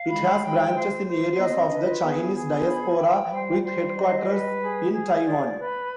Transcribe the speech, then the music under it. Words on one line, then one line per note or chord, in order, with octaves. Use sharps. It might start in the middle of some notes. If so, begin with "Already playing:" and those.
It has branches in areas of the Chinese diaspora, with headquarters in Taiwan.
Already playing: F5
G#3 B5
G5
C5
C5
B3 D#5
B3
C4
D4 B4
F4
B3 G#4
G#4
B5
G5
F3
G3 C5
C5
D#5
B4
G#4
G#4
D5
B4